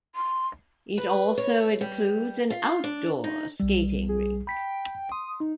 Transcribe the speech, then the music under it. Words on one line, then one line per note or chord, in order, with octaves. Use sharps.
It also includes an outdoor skating rink.
C6
B4
C#5
G3
F4
D4
D#4
B1 G3
G#4
G5 B5 B6
C6 D#6
D#4